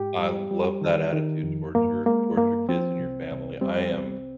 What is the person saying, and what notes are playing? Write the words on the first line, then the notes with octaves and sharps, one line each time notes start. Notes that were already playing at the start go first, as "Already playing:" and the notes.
I love that attitude towards your towards your kids and your family. I am
Already playing: G#2 G4
G3
G3
D#3
D#3
F2
G2 A#3
G#3 A#3
G2 A#3
F3 C4
C2
C2
G3 C4
C2